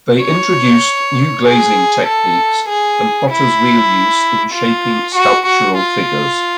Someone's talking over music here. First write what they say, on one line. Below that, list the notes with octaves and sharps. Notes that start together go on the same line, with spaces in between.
They introduced new glazing techniques and potter's wheel use in shaping sculptural figures.
C#5
G#4
A4
G#4
E4
F4
F#4
F#4
F4